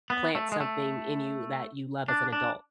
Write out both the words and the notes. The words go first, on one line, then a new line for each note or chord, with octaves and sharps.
plant something in you that you love as an adult.
B3
A3
G#3
A3
D4
D4